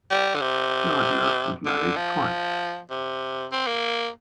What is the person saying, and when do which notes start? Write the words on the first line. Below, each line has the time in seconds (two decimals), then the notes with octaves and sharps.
Gardiner was married twice.
0.10 G3
0.35 D3
0.41 C3
1.66 D3
1.96 F3
2.90 C3
3.52 C4
3.67 A#3